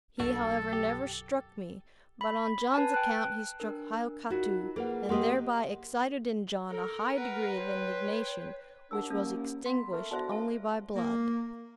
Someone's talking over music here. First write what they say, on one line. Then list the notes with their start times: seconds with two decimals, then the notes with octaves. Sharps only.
He, however, never struck me; but on John's account he struck Hiokatoo, and thereby excited in John a high degree of indignation, which was extinguished only by blood.
0.20 B1 F#2 A#3 D4 F#4 A4
0.73 G4
2.21 B5
2.74 B4 G#5 A5
2.94 G5 F#6
3.60 D4 A#4
4.30 D#4 F4 F#4 A#4
4.76 A#3 G#4 B4 F#5
5.09 A#3 G4 D#5 F#5 C6 D#6
6.70 A4 A#4
7.17 B4 F#5
7.56 C5 C#5 G5
8.91 D#2 D4 F#5 A5 E6
9.10 A#3 C#4
9.66 B3 C6 B6
9.92 A3 A#4
10.11 D3 B3 F#4 C5 E5 A5
10.32 C#2 C#4 A4 F5
10.96 A#3